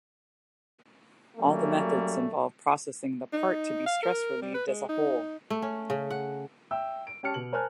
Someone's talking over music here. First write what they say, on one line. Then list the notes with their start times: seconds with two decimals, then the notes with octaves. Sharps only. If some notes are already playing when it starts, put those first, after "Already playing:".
All the methods involve processing the part to be stress relieved as a whole.
1.37 F#3 G3 A3 A#3 C#4
3.33 D#4
3.86 F5
4.02 A#4
4.42 G3
4.54 B4
4.67 G#3
4.89 D#4
5.50 A3
5.62 C#4
5.90 C#3
6.10 F#5
6.71 E5 G5 E6
7.07 D7
7.23 C#4 G4 A5 F6 C#7
7.34 B2 F#7
7.53 A#4 C5 G#5 A5 F6 F#6